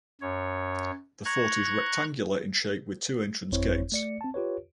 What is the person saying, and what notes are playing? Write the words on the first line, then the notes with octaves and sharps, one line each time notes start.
The fort is rectangular in shape with two entrance gates.
F#2 C#5
A#5 C#6 F#6 G#6
G1 F2 C4 E4 C5 C#5
A3 D5 C#7
C4 A5
F4 G4 B4 C#5